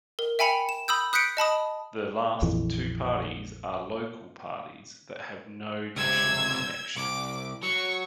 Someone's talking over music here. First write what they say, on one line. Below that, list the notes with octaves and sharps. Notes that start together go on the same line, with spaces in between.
The last two parties are local parties that have no national connection.
A#4
E5 G5 G#5 B5 C#7 F7
E7
B5 D#6 E6 G6
D#6 F#6 G6 B6 C#7 D7
D#5 A5 B5 D#6
A#1 F2 E3
C#2 C3 E6 G#6
C2 D6
F#3 C#6